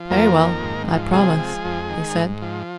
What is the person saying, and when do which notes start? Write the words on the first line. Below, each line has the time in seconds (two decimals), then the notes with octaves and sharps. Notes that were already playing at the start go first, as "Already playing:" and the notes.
"Very well--I promise," he said.
Already playing: F3
0.10 F2 A#3 A#4
0.37 D#3
0.62 G#2
0.88 F3
1.13 C3 G#3 G#4
1.39 F3
1.64 F2
1.89 D#3
2.15 G#2
2.42 F3